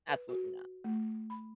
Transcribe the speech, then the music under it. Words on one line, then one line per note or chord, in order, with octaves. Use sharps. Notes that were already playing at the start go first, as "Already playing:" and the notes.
Absolutely not.
B4
F#4
A3
B5